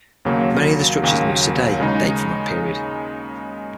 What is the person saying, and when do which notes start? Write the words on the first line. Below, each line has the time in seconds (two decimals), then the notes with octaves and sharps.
Many of the structures in use today date from that period.
0.25 D#2 C#3 F#3 A#3
1.02 D#2 C#3 F#3 A#3
1.80 C#3 G#3 D#4